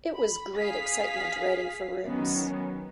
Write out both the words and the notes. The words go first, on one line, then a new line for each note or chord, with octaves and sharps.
It was great excitement writing for rooms.
B5
G#4 F5 B6
D#3 F#3 B3 C#4